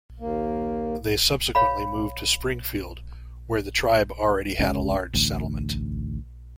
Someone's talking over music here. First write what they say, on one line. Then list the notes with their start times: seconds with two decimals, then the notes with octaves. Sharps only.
They subsequently moved to Springfield where the tribe already had a large settlement.
0.20 D#2 A#3
1.55 C#5 F5 B5
4.59 F1 C#2 G#3 C#4
5.14 A1 D2